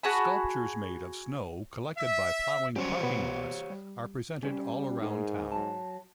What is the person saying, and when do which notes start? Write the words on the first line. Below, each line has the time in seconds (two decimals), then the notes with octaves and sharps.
Sculptures made of snow collected by ploughing parking lots are presented all around town.
0.03 F#4 G#4 A5 B5
1.98 E5
2.76 F#3 G3 C#4 G4 C5 C#5
3.03 B2 B3
3.70 G3
4.43 G3 C#4 C5
5.01 G#2 D#4 G#4 A#4
5.52 F#3 A5